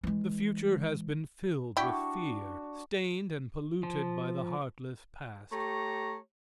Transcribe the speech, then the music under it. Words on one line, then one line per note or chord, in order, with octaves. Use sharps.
The future has been filled with fear, stained and polluted by the heartless past.
E3 G#3
D4 E4 F#4 G4 C#6
F3
A3 G4 C#5 A#5